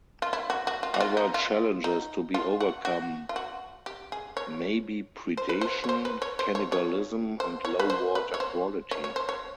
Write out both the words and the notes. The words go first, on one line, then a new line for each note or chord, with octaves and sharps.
Other challenges to be overcome may be predation, cannibalism, and low water quality.
F4
E4
F#4
F#4
F4
F#4
F4
D#4
F4
D#4
F4
F#4
F#4
F4
F#4
G4
G#4
C#5
C5
B4
C5
C#5
C5
B4
C#5
C5
C#5
C#5
C5
C#5
B4
C5
B4
C#5
C5
C#5
C#5
C5
C#5